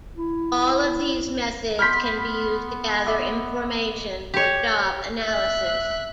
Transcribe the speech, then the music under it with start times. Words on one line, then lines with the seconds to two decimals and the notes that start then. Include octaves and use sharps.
All of these methods can be used to gather information for job analysis.
0.18 E4
1.79 B3 B5 C6 F6 G6 B6
3.06 D#5 E5 D6
4.34 G4 C#5
5.25 E5 F#6